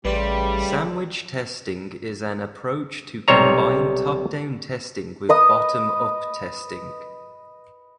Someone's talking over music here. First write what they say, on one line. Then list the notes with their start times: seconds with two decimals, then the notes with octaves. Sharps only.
Sandwich testing is an approach to combine top down testing with bottom up testing.
0.05 A1 C#3 G3 A3 G4 B4 D5 C6
3.28 B1 C3 G3 C5 C#5 A#5
5.29 B4 D#5 D#6